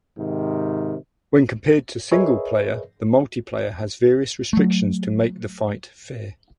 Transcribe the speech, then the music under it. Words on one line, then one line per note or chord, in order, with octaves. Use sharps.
When compared to single-player, the multiplayer has various restrictions to make the fight fair.
G#2 C3 D#3
G#4 A#4 B4 C#5 D#5 E5
F#3 A3